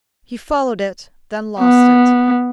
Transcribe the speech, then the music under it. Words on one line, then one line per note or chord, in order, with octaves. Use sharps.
He followed it, then lost it.
B3